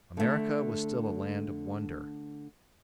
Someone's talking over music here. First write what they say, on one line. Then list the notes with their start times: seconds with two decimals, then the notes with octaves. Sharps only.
America was still a land of wonder.
0.17 D3 A3